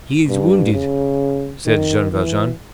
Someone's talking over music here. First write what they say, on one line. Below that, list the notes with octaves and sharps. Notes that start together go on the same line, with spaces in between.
"He is wounded," said Jean Valjean.
G2
C#3
D#3
E3